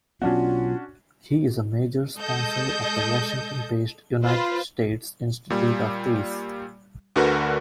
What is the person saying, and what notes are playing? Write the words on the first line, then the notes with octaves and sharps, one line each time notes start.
He is a major sponsor of the Washington-based United States Institute of Peace.
B2 F#3 B3 C#4 D4 F4 F#4
G#3 A4 D#5 G6
F4 B4 C5
A#2 G3
D2 D3 F#4 A#4 B4